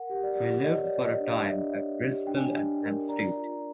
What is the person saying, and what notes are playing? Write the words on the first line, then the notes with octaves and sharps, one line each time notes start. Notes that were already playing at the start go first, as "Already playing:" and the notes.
He lived for a time at Bristol and Hampstead.
Already playing: A#4 F#5
G4
D5
G4
D5
C#5 D#5
D5
C#5
D#5
D4
D#5
D4 E5
C#5
G4
D4 G5
G#5
G5
D4
A#4
D5 A#5
F4